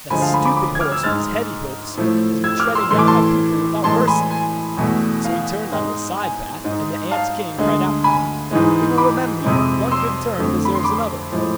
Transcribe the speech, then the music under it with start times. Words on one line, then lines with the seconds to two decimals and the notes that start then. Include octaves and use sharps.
That stupid horse, with his heavy hoofs, has been treading down my people without mercy!' So he turned on to a side path and the ant-king cried out to him: 'We will remember you--one good turn deserves another!'
0.10 D2 D3 F3 G#3 G#5 B5
0.22 F5 A5
0.34 G#5 B5
0.45 B5 D6
0.57 B5 D6
0.75 G#6
0.80 D6 F6
0.92 E6 G#6
1.03 G#2 G#3 F6 A6
1.97 A2 F3 A3
2.44 E6 G#6
2.59 D6 F6
2.75 C6 E6
2.90 A2 E3 A3 C6
2.99 D6
3.07 A5 C6
3.84 A2 E3 G#3 A5 C6
4.08 G#5 B5
4.31 G#5
4.77 E2 B2 A3
5.25 F5
5.72 G#2 G#3
6.18 G#5
6.64 G#2 G#3
7.11 F5 A5
7.58 D2 D3 G#3
8.04 G#5 B5
8.51 G#2 E3 G#3
8.98 B5 D6
9.45 F2 C3 G#3
9.91 C6 E6
10.38 F2 D3 A3
10.65 B5
10.75 C6
10.84 B5 D6
11.32 A2 F3 G#3